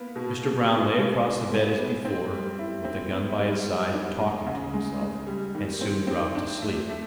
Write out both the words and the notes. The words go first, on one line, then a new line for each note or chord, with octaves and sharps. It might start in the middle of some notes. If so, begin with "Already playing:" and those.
Mr. Brown lay across the bed as before, with the gun by his side, talking to himself, and soon dropped to sleep.
Already playing: A#3 B3
B2
B2
B2
G#3
B3
G#3
B3
C4
G3
E4
C4
B3
G3
G3
D4
G#3
C#3
G#3
G#3
G3
D#3
C4
C4
D4
A3
A3